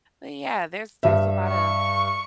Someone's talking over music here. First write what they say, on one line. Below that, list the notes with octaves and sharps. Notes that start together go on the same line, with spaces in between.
but, yeah, there's there's a lotta
G2 E5
C#6